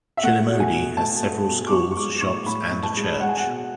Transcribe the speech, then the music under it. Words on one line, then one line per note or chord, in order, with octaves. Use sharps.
Chiliomodi has several schools, shops and a church.
E5
A3 F#5
B2
G#5
B2
A3 A5
A3
B2
D6
E3 C#6
C#6
G#3 D6
A2 C#6
A2 B5
E3
A5
G#3
G#3 F#5
G#5
F#5
B2